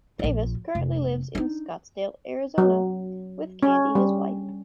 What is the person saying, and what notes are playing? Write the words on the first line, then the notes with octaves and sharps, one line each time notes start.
Davis currently lives in Scottsdale, Arizona with Candy, his wife.
A#1 F4
F1
D4 D#4
F#3
C#4
G3